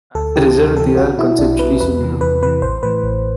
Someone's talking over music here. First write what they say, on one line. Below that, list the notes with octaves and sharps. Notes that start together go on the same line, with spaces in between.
As a result, they are conceptually similar.
D2 A4
C3 E3 G4
D2
C3 E3 A4
B1 F#4
B2 E4
B1 D4
B2 B4
E2 B4
C3 E3
E2 B4
C3 E3 B4
A1 C5
A2 E3 B4
A1